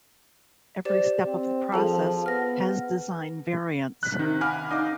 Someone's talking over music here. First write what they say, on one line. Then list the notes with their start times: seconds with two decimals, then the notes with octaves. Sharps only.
Every step of the process has design variants.
0.85 G4 C5 D5
1.27 C4
1.72 F3 G#4 A4 A5
2.26 B3 F6 A#6
4.03 F#6 B6
4.19 C3 D#3
4.41 F5 F#5 G#5 B5 D6 F6
4.71 D#4 F5 D6